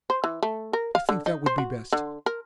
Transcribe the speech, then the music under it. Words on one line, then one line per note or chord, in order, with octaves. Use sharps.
I think that would be best.
C5
E3
A3
A#4
F5
D3
D#4
C5
F#4
D3
A#4